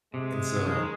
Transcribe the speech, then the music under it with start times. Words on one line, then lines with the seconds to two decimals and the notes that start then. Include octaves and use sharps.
And so
0.14 C3 G#3
0.56 F#3
0.66 F3
0.75 D#3